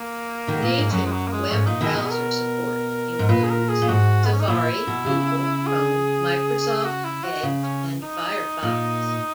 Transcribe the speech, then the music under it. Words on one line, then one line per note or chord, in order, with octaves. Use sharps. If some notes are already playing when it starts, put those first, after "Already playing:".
Native web browser support includes: Safari, Google Chrome, Microsoft Edge and Firefox.
Already playing: A#3
B2 D#3
A#2
G#2
F#2 F#3
G#3
F#3
A#3
G#3
G#2 C#4
A#2 D#4
B2 D#3 E4
B2 D#4
G#4
A#4
G#2
A#2 B4
G#4
A#4
G#4
A#2
G#2 F#4
B3
C#4
D#4
A#2 E4
B2
C#3
G#4
F#4
E4
F#4
C#3
C#4
D#4
A#2